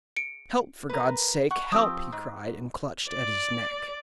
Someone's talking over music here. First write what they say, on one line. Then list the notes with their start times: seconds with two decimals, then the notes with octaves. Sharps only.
"Help, for God's sake, help!" he cried, and clutched at his neck.
0.16 C#7 D7
0.90 A#4 B4
1.51 F#5 C#6
1.72 F3 C4 G4 D#6 E6
2.12 G#2
3.09 D5